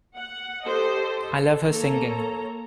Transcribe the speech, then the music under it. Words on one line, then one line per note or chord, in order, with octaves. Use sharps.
I love her singing.
F#5
G4 A4 C5 D#5
A4
A#3 A4 C#5 A#5